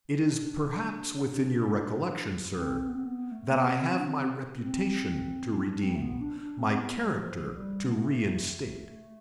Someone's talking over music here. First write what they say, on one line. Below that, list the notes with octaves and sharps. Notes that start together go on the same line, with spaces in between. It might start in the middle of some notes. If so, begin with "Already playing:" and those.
"It is perhaps within your recollection, sir, that I have my reputation to redeem, my character to reinstate."
D4
C4
C4
B3
C4
B3
A3
B3
C4
C4
D4
C4
C4
C4
D4
C4
A3
B3
D4
D4
C4
C4
B3
G3
E3
F3
G3
B3
A3